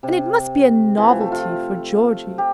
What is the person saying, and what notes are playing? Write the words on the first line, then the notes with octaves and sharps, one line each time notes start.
And it must be a novelty for Georgey.
C3
E3
F3
A3
F4
G4